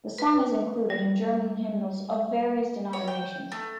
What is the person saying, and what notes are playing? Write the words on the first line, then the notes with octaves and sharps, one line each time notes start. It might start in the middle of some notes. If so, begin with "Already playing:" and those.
The song is included in German hymnals of various denominations.
B4
G3
C#5
G5
A3